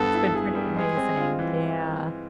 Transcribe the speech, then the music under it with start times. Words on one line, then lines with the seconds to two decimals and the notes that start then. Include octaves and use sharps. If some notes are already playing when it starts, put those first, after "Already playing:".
It's been pretty amazing, yeah.
Already playing: G2 B3 A4
0.14 E4
0.35 G#4
0.55 G3
0.76 G#3 G#4
0.97 C4
1.18 F4
1.39 E3